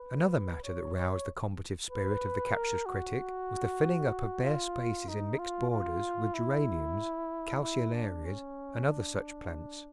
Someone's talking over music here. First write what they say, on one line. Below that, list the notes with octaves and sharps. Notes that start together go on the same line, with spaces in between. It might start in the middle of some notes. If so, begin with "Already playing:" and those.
Another matter that roused the combative spirit of the captious critic was the filling up of bare spaces in mixed borders with Geraniums, Calceolarias, and other such plants.
Already playing: B4
C#5
C#5
B4
A#4
F#4
F4
D#4
F4
F4
E4
E4
D4
C#4
D4